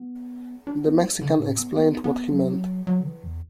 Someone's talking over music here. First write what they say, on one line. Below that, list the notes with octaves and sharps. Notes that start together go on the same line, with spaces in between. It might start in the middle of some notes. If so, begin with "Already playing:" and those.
The Mexican explained what he meant.
Already playing: B3
D4
B3
D3
A2
B3
B3
B3
F#3
F#3
D3
E3
E2